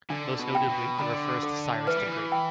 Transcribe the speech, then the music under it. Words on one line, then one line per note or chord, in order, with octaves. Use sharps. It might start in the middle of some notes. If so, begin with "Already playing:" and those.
Most notably it refers to Cyrus the Great.
D3 D4
B2
G5
B2
D3 B5
A4
E3 B4
G3
E3
G5